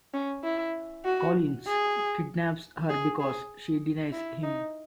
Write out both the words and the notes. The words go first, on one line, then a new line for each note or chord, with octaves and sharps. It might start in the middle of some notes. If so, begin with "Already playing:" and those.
"Collins" kidnaps her because she denies him.
C#4
E4
F#4
G#4
G#4
G#4
E4
D#4